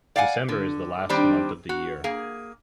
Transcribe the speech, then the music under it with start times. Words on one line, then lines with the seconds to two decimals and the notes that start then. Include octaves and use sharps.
December is the last month of the year.
0.16 D5 F5 F#5 G#5
0.49 D3
1.09 D#3 G3 C4 D4
1.69 F#4
2.04 A#3 G#4